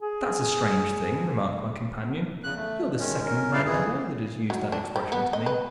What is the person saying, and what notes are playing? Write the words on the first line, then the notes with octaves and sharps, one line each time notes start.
"That's a strange thing," remarked my companion; "you are the second man to-day that has used that expression to me."
G#4
E2 C#3 F#6
A3
D#3 G#3 C#4
C#4 A#4
G2 C#3 E4 D5 F5
F2 E3 G#4
F#3
D4
G3
B3
D#5
B4